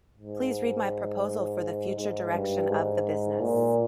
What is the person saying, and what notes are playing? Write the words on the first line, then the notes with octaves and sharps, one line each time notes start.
Please read my proposal for the future direction of the business.
G#2
G#2
G2
G#2
A#2